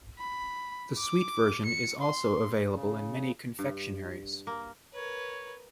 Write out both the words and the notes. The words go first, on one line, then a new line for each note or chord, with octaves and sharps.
The sweet version is also available in many confectioneries.
B5
D6
C#7
C6
C#3
G2
A#3
A#4 B4 C#5